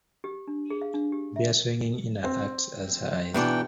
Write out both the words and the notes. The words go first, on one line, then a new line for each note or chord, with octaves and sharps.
Beer-swigging Ina acts as her eyes.
G4
D4
G#4
F5
D4
G4
E5
C4
G#2 B2 E3 D4 G5